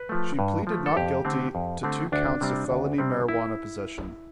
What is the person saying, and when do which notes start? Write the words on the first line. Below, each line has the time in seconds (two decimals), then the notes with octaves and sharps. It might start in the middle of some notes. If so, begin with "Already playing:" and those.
She pleaded not guilty to two counts of felony marijuana possession.
Already playing: B4
0.09 F3 A3
0.39 G2
0.67 F3 A3
0.86 A4
0.96 F2 G4
1.25 D3 A3 C4
1.55 F2
1.83 D3 A3 C4
2.12 D2 D4
2.41 C3 G3 C4
2.70 D2
2.98 C3 G3 C4
3.29 E4